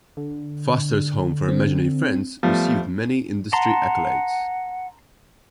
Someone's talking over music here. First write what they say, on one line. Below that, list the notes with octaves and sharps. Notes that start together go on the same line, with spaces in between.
"Foster's Home for Imaginary Friends" received many industry accolades.
D3
C4
F3 G3 A3 B3
F#5 A5 A#5 C6